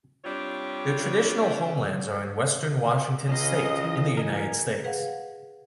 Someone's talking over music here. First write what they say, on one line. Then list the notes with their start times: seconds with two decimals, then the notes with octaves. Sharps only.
Their traditional homelands are in western Washington state in the United States.
0.24 G3 C4 D4 F4 C#5
3.29 C#2 C#4 D#5 F5
3.84 E3
4.17 A#4 G#5
4.84 G#4 B4 F5 F#5